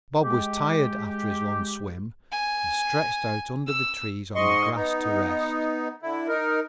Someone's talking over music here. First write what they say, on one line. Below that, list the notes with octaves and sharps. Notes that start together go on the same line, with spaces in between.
Bob was tired after his long swim and stretched out under the trees on the grass to rest.
G#3 G4
G#5
E6
G#2 D#5 C6 C#6
B3 D#4
D3 E4
D#4 A#4